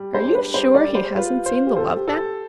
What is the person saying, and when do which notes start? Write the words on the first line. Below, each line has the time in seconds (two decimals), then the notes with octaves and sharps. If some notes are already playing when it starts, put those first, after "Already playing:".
"Are you sure he hasn't seen the Love Magnet?"
Already playing: G3
0.14 C5
0.24 D4
0.35 B4
0.54 G3 C5
0.75 D5
0.85 G3
0.95 C5
1.16 F4 B4
1.46 C5
1.67 G4
1.76 A4 C5
1.97 G4
2.08 A4
2.17 G4